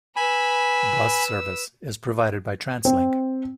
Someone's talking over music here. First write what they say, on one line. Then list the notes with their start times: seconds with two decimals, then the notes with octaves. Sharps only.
Bus Service is provided by Translink.
0.16 B4 G#5 B5 E6
2.85 C4